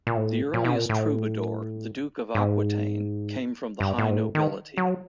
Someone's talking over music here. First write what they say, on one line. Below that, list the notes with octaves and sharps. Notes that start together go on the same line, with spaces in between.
The earliest troubadour, the Duke of Aquitaine, came from the high nobility.
A#2
A2
A#2
B2
A#2
A2
G#2
G2
A2
G#2
A2
D#3
F#3